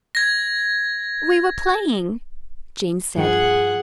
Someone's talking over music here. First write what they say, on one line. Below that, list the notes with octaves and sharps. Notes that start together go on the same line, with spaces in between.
"We were playing," Jean said.
G#6 A#6
G2 F3 G#4 F#5